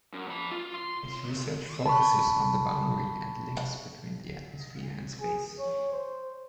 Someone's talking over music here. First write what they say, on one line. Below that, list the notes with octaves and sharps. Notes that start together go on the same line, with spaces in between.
His research focuses on the boundary and links between the atmosphere and space.
F#2
F3 B5
F4
C6
A5 B5 C#6
G#4
C#5
C5